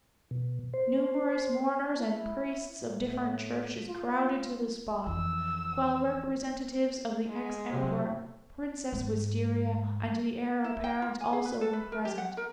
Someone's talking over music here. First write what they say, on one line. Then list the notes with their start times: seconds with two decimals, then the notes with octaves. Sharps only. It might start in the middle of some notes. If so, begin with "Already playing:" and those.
Numerous mourners and priests of different churches crowded to the spot, while representatives of the ex-Emperor, Princess Wistaria, and the Heir-apparent also were present.
0.31 B2
0.74 C5
1.99 E4
2.81 A2
3.88 F4
5.07 F2 E3 E6
7.29 G#3
7.69 C3 F#3
8.93 G#2
10.64 E4
10.84 G5
11.02 F4
11.21 G#5
11.33 G#4
11.45 B4
11.61 A4
11.73 B4
11.92 A#4
12.05 G4
12.18 F#5
12.37 A#4